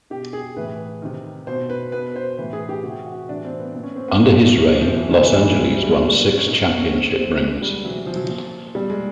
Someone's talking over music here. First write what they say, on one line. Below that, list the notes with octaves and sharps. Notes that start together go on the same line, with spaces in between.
Under his reign, Los Angeles won six championship rings.
B2 G4
G#4
A2 E3 B4
C3 D#3
B2 C5
B4
B2 B4
C5
A2 E3 B4
G#4
G4
C3 E3 F#4
F#4
A2 E3 D4
C4
B3
A#2
C#4
C4
B3
A#2 A#3
A3
C3 E3 F#3
F3
E3
A#2 E3
E3
G3
A2 E3 F#3
G3
G#3
B2 G3
C#4
A#2 D#4
C#4
A#2 C4
C4
A#2 G#3
G3
C3 E3 F#3
F3
F#3
A#2 F3
A#2 G3
G#3